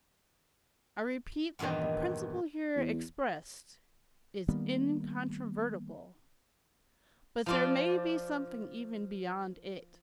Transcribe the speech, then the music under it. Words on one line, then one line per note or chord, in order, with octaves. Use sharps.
I repeat that the principle here expressed, is incontrovertible; but there may be something even beyond it.
E2 G2 A#2 D#3 E3
E2
D#3 G3 A#3 B3
F3 F4 D5